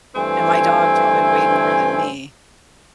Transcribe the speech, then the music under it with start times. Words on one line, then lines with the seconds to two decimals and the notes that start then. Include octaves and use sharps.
and my dog probably weighed more than me,
0.15 G2 E3 A3 C4 G#5